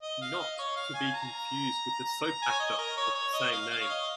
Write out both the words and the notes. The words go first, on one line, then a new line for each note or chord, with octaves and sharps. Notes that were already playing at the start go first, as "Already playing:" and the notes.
Not to be confused with the soap actor of the same name.
D#5
F5
D#5
C#5
F5
G#5
A#5
A#5
G#5
C#5
D#5
A#4
C#5
C#5
D#5
F5
F5
C#5
D#5